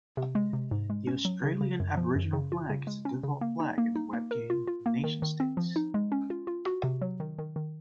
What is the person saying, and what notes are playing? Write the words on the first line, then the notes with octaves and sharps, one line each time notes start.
The Australian Aboriginal Flag is the default flag in the web game "NationStates".
C3
G#3
C3
G#2
G#3
C#4
F#3
C#3
C#3
F#2
F3
F#2
C#3
F4
C#3
G#3
C#4
C#3
A#3
D#4
A#3
D#4
A#3
A#4
F4
F4
A#3
D#3
D#3
C4
F3
D#4
G#3
C#4
F4
F4
F#4
C3
F#3
D#3
D#3
D#3